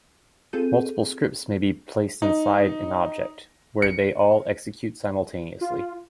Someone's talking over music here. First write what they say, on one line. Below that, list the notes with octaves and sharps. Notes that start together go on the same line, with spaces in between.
Multiple scripts may be placed inside an object, where they all execute simultaneously.
C4 F4 G#4 A4 G6 D#7
D#4
C#7
F4